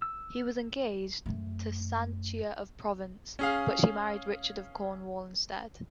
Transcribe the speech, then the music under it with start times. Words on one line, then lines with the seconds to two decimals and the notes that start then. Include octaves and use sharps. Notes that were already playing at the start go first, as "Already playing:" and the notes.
He was engaged to Sanchia of Provence, but she married Richard of Cornwall instead.
0.02 E6
1.26 F#2 A3
3.39 C#4 G#4 F5